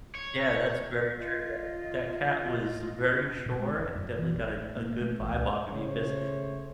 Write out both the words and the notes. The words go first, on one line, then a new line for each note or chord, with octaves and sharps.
Yeah, that's very true. That that cat was very sure, and definitely got a a good vibe off of you 'cause
C#5
F4 D#5
A#2
G#3
F1
F#2
E3
A1
A2
A#3
A3
A1
C#2
C#3 A3 C5 C#5